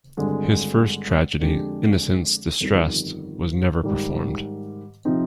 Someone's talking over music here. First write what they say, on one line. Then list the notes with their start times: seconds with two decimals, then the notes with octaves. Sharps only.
His first tragedy, "Innocence Distress'd," was never performed.
0.17 G#1 G2 D3 G#3
1.39 F2 D3 G#3 D4 G4
2.61 G1 F2 D#3 G3
3.83 G#2 D#3 G3
5.05 C3 F3 C4 D#4